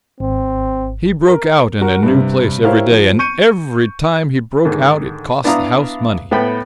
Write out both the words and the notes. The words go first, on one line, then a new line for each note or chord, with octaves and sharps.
He broke out in a new place every day, and every time he broke out it cost the house money.
G#1 C4
A#4
F#4 A#4
G2 C3
E4 G4 A#4 C5 C#5 F5
F3
C#6 G6 C#7 D#7
G#2 D3 D#3
B3 D4 E4 F5 A#5 D#6
A2 B3 G5 B5